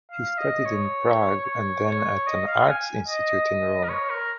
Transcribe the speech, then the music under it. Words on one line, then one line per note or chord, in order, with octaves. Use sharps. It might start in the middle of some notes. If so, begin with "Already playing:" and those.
He studied in Prague and then at an Arts institute in Rome.
F5
D#5
C#5
C#5
C#5
D#5
F5
G#5
D#5
A#4
C#5
A#4